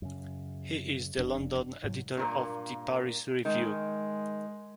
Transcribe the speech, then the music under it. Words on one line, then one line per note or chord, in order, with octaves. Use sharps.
He is the London editor of "The Paris Review".
F#2 C#3
F#1 F2 C3 D4
G#2 C3 F#3
G2 A#2 A#3
D#3 G#3